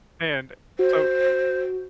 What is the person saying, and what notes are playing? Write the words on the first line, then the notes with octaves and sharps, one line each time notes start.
And, so
F#4 C5